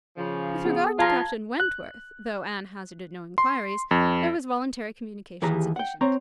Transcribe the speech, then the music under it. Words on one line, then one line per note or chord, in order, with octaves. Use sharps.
With regard to Captain Wentworth, though Anne hazarded no enquiries, there was voluntary communication sufficient.
C#3 F3
B3 G#4
F3 F4 F5 A5 A#5 G#6
F#6
C6
F2
D#2 E3 G4 G#4 A#5
F#5 G5
C4 C#5 A#5